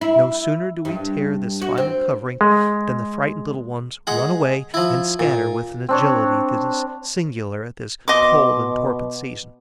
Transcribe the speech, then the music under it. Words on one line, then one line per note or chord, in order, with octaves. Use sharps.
No sooner do we tear this final covering than the frightened little ones run away and scatter with an agility that is singular at this cold and torpid season.
E4
G2
F#4
C4
G#3
G#3 G#4 F#5
F3 E4
A#2
C4 D4 C#5
B2 D#5 C6 D6